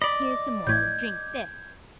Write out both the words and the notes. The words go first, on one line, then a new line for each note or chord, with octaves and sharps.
"Here's some water, drink this!"
D5 D#5 B5
A1 A2 G6 G#6